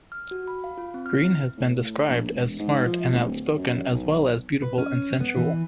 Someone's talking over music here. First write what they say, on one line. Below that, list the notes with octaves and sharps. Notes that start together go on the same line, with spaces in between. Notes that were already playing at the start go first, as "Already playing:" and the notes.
Greene has been described as smart and outspoken as well as beautiful and sensual.
F6
F#4
B5
F5
F4
C4
F6
E4
A2
A#1
E1
G#2
F3
D1
F#2
B1
B4
C#4
B3
E3